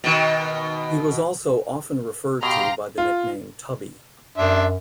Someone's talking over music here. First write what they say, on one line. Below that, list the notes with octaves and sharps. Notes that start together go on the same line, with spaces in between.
He was also often referred to by the nickname "Tubby".
B2 D#3
B2 G4 F5 A#5 C6
F4
F#2 D4 E5 C6